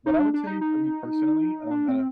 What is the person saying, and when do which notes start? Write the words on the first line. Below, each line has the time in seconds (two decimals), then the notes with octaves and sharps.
But I would say for me personally, um, at a
0.06 D#4
0.19 D4
0.34 D4
0.47 D#4
0.61 D#4
1.71 D4
1.88 C4